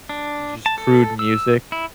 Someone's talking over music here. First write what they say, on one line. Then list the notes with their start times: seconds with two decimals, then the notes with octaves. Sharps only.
just crude music
0.09 D4
0.66 A5
0.78 A4
1.19 E6
1.72 E4